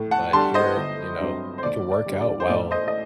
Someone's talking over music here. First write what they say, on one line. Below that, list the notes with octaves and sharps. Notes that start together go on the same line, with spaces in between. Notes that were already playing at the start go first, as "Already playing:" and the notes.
But here, you know, you could work out while
Already playing: A2
F#5 A5
G3 D4 A5 C6
C5 D#5
G1
G2 F#3 C4
C5
D#2 D5
D5
D3 G3
D5
C5
A1 D5
C5 D#5
D#5